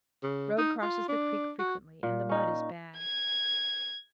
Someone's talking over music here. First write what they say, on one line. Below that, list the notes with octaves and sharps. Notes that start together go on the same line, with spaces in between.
Road crosses the creek frequently, and the mud is bad.
C#3
D#4
F4
D4
F#4
A#2
C#4 D#4
G#6